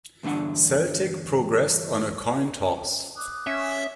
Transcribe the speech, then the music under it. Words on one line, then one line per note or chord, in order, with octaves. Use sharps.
Celtic progressed on a coin toss.
E2 G2 D3 D4 F#5
D6 D#6 F#6
C#4 E5